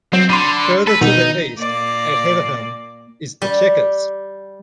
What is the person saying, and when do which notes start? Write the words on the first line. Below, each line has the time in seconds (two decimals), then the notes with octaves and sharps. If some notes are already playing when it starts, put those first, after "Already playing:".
Further to the east at Heaverham is the Chequers.
0.13 F#3 C4
0.29 D3 B5 C6
0.87 A4 B4
1.01 B2 D#3 D#4
1.59 A#2 A#3 D5
3.42 G3